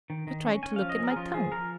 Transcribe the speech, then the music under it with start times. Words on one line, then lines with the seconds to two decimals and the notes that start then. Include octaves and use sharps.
I tried to look at my tongue.
0.10 D#3
0.27 D#3
0.45 C#4
0.63 C#4 G#5
0.76 F3 F5
0.89 D#5
0.99 C#4 A#4
1.11 G#4
1.16 F3 F4
1.34 F3 G#4
1.52 F3 A#4